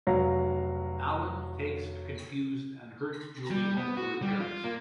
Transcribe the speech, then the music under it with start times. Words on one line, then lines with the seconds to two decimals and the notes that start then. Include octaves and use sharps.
Alan takes a confused and hurt Julie home to her parents.
0.07 F1 F#3 F5 A#6
3.51 G3
3.77 B3
3.97 F#4
4.22 G3
4.40 F4
4.64 A#3